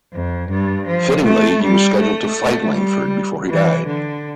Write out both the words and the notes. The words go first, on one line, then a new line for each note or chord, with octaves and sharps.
Fittingly, he was scheduled to fight Langford before he died.
F2
G2
F3
A3
G3
A3
G3
E3
D3